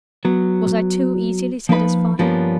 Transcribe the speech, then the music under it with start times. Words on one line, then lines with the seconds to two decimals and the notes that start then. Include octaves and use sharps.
Was I too easily satisfied?
0.25 F#3 B3
1.69 F3 A#3 D#4 B4 B5
2.19 G2 F3 G3 A#3 B3 C#4